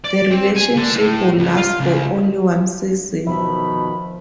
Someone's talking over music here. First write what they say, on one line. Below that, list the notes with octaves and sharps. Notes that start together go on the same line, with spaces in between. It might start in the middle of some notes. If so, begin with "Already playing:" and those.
The relationship would last for only one season.
D5
C4
G#5
D3
A2
C#2
F4
C#2
B2 D#3 F3 E5 B5